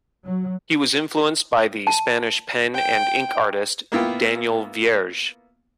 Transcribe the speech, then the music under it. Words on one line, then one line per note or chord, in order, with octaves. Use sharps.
He was influenced by the Spanish pen and ink artist Daniel Vierge.
F#3
A5
G5
A#3 B3 E4 F4 G5